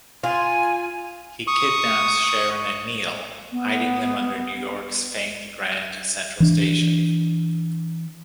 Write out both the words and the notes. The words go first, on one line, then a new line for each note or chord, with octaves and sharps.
He kidnaps Sharon and Neil, hiding them under New York's famed Grand Central Station.
F4 G#5
C#6 D#6
B3
E3 D4